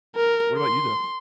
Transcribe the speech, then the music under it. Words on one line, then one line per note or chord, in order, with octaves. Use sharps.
What about you, though?
A#4
C6